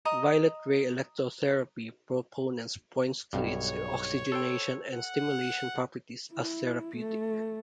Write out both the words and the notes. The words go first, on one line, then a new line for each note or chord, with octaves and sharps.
Violet ray electrotherapy proponents point to its oxygenation and stimulation properties as therapeutic.
D#5 A#5 D#6
B1 G2 C#5
A4 C5 G5
F#5
E4
A3